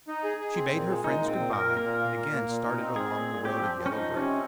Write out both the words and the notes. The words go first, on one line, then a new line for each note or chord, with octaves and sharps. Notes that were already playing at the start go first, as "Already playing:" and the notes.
She bade her friends good-bye, and again started along the road of yellow brick.
D#4
G#4
G#4
C4
A#2
G#3
A#2 D#4
A#2
C4
A#2
A#3 A#4
A#3
A#4
A#2
A#3
A#3
A#3
A#2
D#4
C4
C4 G#4
A#2
A#2
C4 G4
F3
F3
C#4
F3 D#4
C3
C#4
C4